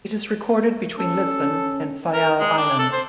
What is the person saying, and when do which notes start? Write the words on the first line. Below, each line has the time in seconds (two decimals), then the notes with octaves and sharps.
It is recorded between Lisbon and Faial Island.
0.99 C#4 A4
2.14 A#4
2.40 G#3
2.58 D4
2.79 A4
2.93 C5